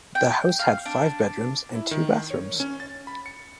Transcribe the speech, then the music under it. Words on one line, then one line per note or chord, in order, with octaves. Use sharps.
The house had five bedrooms and two bathrooms.
G5
F5
D4
E4
D#3
C#5
C#4
A6
B5
C#7